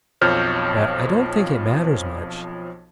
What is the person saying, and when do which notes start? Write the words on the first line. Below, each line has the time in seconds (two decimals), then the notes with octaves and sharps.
"But I don't think it matters much."
0.21 B1 F2 F3 C#5 F6 G6